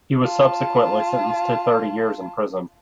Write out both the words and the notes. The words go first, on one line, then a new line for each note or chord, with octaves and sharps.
He was subsequently sentenced to thirty years in prison.
F4 A5